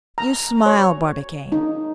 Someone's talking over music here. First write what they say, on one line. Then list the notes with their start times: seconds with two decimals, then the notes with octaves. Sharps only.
You smile, Barbicane.
0.18 A#5
0.66 C#5
1.52 D#4